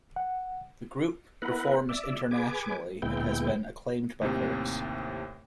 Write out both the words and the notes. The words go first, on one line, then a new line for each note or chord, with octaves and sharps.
The group performs internationally and has been acclaimed by critics.
F#5
B3 E4 A#4 B4 F#5
D5 E5
G#4 B4 G#5 D6
D2 A#2 G#3 B3 E4 G5
D#2 A2 C3